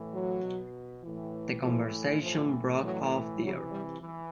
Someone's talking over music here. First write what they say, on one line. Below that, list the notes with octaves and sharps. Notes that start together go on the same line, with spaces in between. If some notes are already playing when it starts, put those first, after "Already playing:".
The conversation broke off there.
Already playing: A2 E3
F#3
B2
A2 E3
A2 E3 F3
A2 E3 F3
A2 E3 F#3
C3 E3 F#3
G3
E3